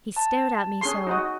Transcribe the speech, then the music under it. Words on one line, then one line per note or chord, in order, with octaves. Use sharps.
He stared at me so.
A5
C#4 G#4 C6
D#4 F#4 D#5